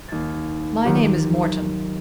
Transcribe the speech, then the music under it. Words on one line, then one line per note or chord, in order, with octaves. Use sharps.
"My name is Morton."
D#2 G#6 A6
D#3 F#3 F4 G4